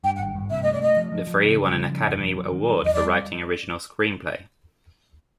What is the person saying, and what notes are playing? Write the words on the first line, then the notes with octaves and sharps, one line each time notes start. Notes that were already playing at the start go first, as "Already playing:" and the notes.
The three won an Academy Award for Writing Original Screenplay.
G2 G5
F#5
G#1
G2
C3 E5
A3 D#5
D5
A3 D#5
F3
F3
F3
C#3
G3
C#3
F3
F1
F3
F#3
D#3
F#3
E2 D#5
D5
G3